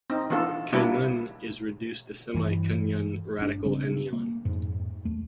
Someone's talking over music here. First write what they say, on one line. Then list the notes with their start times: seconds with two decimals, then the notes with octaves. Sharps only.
Quinone is reduced to a semiquinone radical anion.
0.10 C4 D#4
0.30 E3 B3 D4 F4 A4
0.73 G3 A#3 D4 E4
2.34 G2 E3
3.39 G1 D4
3.65 C#3 G3 C4 D4
4.13 A#3
4.45 F2 G#2
5.05 D#2 A3